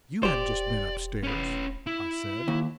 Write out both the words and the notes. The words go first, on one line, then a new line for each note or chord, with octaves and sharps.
"You have just been up-stairs," I said.
E1 G4 C5 D5
C#4 B4
E4
D#2